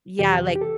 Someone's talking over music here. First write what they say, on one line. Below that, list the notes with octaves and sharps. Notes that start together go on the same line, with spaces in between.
Yeah, like
F2 C3 E3 G4
G4
A4